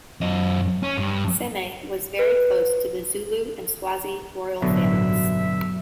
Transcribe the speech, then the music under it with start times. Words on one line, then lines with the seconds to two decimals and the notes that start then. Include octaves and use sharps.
Seme was very close to the Zulu and Swazi royal families.
0.21 F#2 D#5
0.83 C#4
0.98 G2
2.19 B4
4.62 A1 G2 B2 D3 F#3 E5